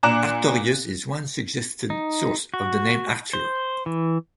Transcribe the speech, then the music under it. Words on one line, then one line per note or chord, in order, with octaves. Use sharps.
Artorius is one suggested source of the name Arthur.
A#2 D4 A#5 D6 F#6 E7
D#4
F#4
C5
E3